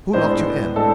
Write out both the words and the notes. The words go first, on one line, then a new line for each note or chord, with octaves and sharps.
"Who locked you in?"
A2 G#3 B3 D4 C5
A2 G#3 B3 D4 A4